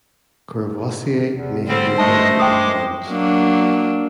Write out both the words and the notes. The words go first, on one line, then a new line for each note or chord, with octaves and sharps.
Courvoisier may have been born in Mons.
E2
D3 G3 C4 C5
G#3 A3 D#5 A5 D#6
G#3 G5 D6 D#6
F#3 A#3 D4